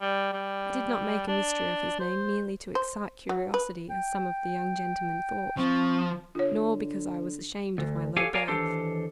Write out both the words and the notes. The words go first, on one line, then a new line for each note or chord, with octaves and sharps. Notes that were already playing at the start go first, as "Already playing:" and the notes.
I did not make a mystery of his name merely to excite curiosity, as some of the young gentlemen thought, nor because I was ashamed of my low birth.
G3
G3
D4
C5
C5
F#3
B4
G5
F3 C4 C#6
D3 F4 C#5
D2
G4 A4 C#5 F5 F#5 G#5
A#4 C#5 D5 F5 G#5 A#5
D#2 E3 D4 G4 A4 C5